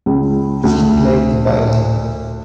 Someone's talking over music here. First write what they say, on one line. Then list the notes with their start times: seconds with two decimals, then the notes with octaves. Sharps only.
He played the violin.
0.06 C#2
0.64 D2